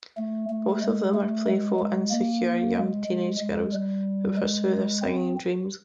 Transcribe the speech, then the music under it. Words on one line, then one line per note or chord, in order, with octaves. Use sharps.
Both of them are playful, insecure, young teenage girls who pursue their singing dreams.
A3
A3
G#3
A3
G#3
G#3
A#3
G#3
G#3
G#3
G3
G#3
C4